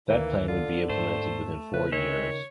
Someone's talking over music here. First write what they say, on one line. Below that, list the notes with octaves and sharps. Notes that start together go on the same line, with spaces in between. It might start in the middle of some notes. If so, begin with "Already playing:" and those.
That plan would be implemented within four years.
D2 D#3 E3 A#3
D3 F4
G#2 A3 C5
A2 C#3 B4
D#3 G#3 C4 C#5 E5